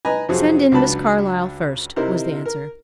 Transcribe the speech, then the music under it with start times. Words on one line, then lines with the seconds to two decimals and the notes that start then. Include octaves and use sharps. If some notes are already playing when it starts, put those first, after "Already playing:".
"Send in Miss Carlyle first," was the answer.
0.05 B4 D#5 G#5 A#5 B5
0.29 F2 C3 F3 F#3 C4 G#4
0.72 C#2 F#3 D4 B4 A5 B5
1.96 C3 D#4 E4 A#4 C5
2.45 A#4